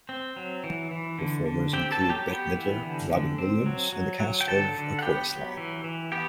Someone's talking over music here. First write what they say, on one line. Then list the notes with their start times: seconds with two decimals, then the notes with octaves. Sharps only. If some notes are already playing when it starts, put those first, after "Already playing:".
Performers included Bette Midler, Robin Williams, and the cast of A Chorus Line.
0.09 C4
0.36 F#3
0.64 E3
0.91 E3
1.19 D3
1.46 D3
1.73 C4 G4 G5
1.91 A4 A5
2.01 F#3
2.09 G4 G5
2.28 B3 G4 G5
2.55 E3
2.83 D3
3.10 D3
3.38 C4
3.66 F#3
3.93 F#3
4.20 F#3
4.41 G5
4.48 D3 A4 A5
4.75 D3
4.99 F#5
5.02 B3 G4 G5
5.30 F#3
5.57 E3
5.84 E3
6.12 B3 G4 G5